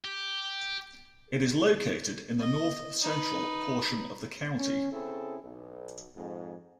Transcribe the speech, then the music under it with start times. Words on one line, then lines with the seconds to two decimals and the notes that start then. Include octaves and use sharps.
It is located in the north central portion of the county.
0.04 G4
2.40 D#5
3.03 D#4 B4
4.57 C#4
4.92 C#3 C4 E4 G#4 A4
5.43 B1
6.16 F2 G#2